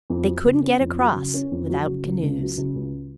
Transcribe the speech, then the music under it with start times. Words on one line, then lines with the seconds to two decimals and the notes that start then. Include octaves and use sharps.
They couldn't get across without canoes.
0.10 F2
0.27 F#3
0.45 C#3
0.63 C#4
0.80 F2
0.98 F#3
1.16 C#3
1.34 C#4
1.52 F2
1.69 F#3
1.87 C#3
2.05 C#2
2.23 C#2
2.40 F#3
2.58 C#3
2.75 C#2